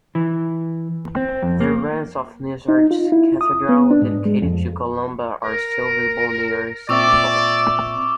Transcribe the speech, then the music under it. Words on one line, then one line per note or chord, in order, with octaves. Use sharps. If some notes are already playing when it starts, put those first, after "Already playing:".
The ruins of Snizort Cathedral, dedicated to Columba, are still visible near Skeabost.
E3
C4
F2
A#3
D#4
F4
E4
D#6
B3
D4
G#2
G#3
F2
A#4
A#2 C4 D5 E5 C#6 D6 E6